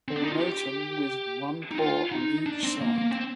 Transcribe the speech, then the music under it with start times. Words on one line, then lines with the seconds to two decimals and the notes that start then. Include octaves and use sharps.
Pronotum with one pore on each side.
0.08 C4
0.16 D4
0.24 D#4
0.32 F4
0.40 G4
1.71 D#4
1.78 F4
2.12 D#4
2.46 D4
2.64 C4
2.81 A#3
2.98 A#3
3.11 C4